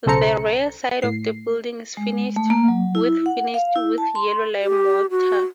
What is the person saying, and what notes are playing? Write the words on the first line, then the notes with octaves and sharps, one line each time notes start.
The rear side of the building is finished with finished with yellow lime mortar.
B1 C#3 A4 C5 A#5 C#7
A2 C7
G#3
A3
A#3
F#3
E4
F#5
F5
E4
A5
C6
G4
F#4